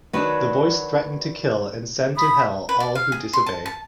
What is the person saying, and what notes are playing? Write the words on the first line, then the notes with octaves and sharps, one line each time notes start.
The voice threatened to kill and send to Hell all who disobey.
D#3 F#3 D4 F#4 B4
B5 D#6
B4
D5
F5
G#4
C6
A5
A5